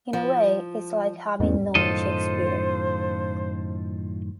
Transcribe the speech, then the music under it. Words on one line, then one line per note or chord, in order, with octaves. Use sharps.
In a way, it's like having known Shakespeare.
F3
E2 G#2 A3 C#4
F#2 A2 D#3 F4 A4 C5 D#5